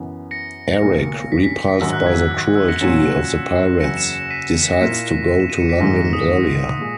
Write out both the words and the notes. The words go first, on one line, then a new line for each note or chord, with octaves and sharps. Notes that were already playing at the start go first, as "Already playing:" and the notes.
Eric, repulsed by the cruelty of the pirates, decides to go to London earlier.
Already playing: F#2 E3 B3
A#6 C#7
B1 B2 A#3
B6
B6
B6
A#1 G#2 D#3 F#3 E6
F#6
G#6
F#6
E6
E6
A#6 C#7
A#2 F#3 C#4 C#7 E7
F#1 E2 C#3 F#3 A#6 C#7
C#7 E7
C#7 E7
B6 D#7
B6
A#6
A#2 A#3 E4 B6
E7
D#7
C#7
B6
A#1 G#2 D#3 G#3 A#6
A#6
D#6
A#2 G#3